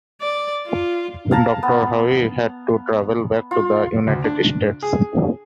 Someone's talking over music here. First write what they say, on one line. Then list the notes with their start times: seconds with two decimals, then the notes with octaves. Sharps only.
Doctor Howe had to travel back to the United States.
0.21 D5
0.67 F4
1.31 F5 A5 A#5
1.63 B3
3.51 F4
4.07 D2
4.24 D4
4.83 G#4